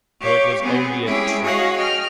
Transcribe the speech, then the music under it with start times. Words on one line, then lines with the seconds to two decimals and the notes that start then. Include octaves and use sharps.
So it was only a trick!
0.19 G4 C#5 F5
0.61 B3 C4 G#4
1.03 G#3 C#4 E4 G4 G#4
1.41 F#4 G#4 C#5 D#5 F5 F#5
1.77 D#5 G5 F6